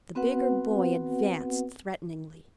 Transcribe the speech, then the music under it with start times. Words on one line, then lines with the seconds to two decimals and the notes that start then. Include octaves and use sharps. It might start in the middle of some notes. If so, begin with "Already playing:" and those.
The bigger boy advanced threateningly.
0.15 B3 C4 F#4 B4 F#5